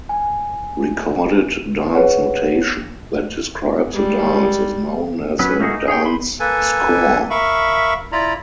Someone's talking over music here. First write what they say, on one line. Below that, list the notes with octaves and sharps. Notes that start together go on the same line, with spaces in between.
Recorded dance notation that describes a dance is known as a "dance score".
G#5
G#4 B4 C#5 F#5
G3 G#3
F#3 B3 C#4 B4
A3 A#3 D#4 F#4 G#4
D#4
G#4 C#5 G5
B5 C6
A#3 A4 B4 G#5
A#4 E5 F5 B5 C#6
E4 F4 D5 A#5 B5